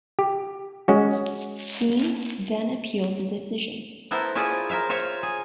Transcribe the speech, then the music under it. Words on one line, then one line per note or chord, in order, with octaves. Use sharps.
Keene then appealed the decision.
G4
G#3 C#4 F#4
B3 E4 A4 A#4 C5
C#4 E4 F4 G#4 C5 D5
A#4 C5 E5 F5
F4 C5 C#5 E5 F5
G#4